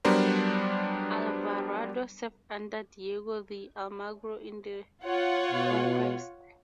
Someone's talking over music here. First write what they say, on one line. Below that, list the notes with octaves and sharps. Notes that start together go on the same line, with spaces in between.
Alvarado served under Diego de Almagro in the conquest.
F#3 G3 B3 D4 A#4 C5
F4 C#5 F#5
B2